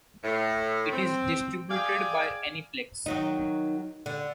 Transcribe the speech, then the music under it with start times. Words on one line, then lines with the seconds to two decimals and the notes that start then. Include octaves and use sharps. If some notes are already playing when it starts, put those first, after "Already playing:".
It is distributed by Aniplex.
0.23 A2
0.92 C4
1.70 G#4 D5 F5 G5 G#5
3.06 D#3 F#3 D#4
4.06 D3